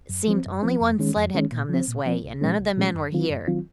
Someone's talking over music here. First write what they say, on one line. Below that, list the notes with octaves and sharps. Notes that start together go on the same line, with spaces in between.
It seemed only one sled had come this way and none of the men were here.
F#2
F3 C4
F#2
F3 C4
F2
D#3 G#3 C#4
F2
D#3 G#3 C#4
A#2
F3 C4
A#2
F3 C4
C2
A#2 F3 G#3 C#4
C2
A#2 F3 G#3 C#4
F#2
D#3 F#3 C4 F4
F#2
D#3 F#3 C4 F4